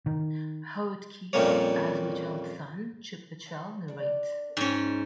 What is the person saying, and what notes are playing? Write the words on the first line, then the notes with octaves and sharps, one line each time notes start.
Howard Keel, as Mitchell's son "Chip Mitchell", narrates.
D#3
F2 A#2 G3 A#3 C#4 C#5
E3 F#3 A4
D4 D5
G#2 C#4